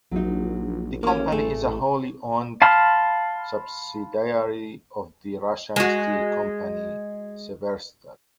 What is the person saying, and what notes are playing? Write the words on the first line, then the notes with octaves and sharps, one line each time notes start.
The company is a wholly owned subsidiary of the Russian steel company Severstal.
A#1 F#3 D#4
A1 A#3 C#4
A3 G#4
F5 A5 B5 C6 F6
G#3 F#4